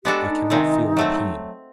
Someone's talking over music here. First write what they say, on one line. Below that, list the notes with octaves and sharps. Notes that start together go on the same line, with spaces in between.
I cannot feel the pen.
G#3 B3 D4 F#4 G4 A4
D#4
C3 D#3 G#3 C4
F#3 A3 C4